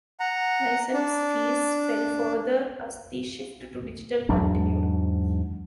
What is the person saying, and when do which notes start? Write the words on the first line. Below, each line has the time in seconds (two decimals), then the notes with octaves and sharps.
Licence fees fell further as the shift to digital continued.
0.20 F#5 A#5
0.94 D4
4.29 E2 G#2 F#3 D4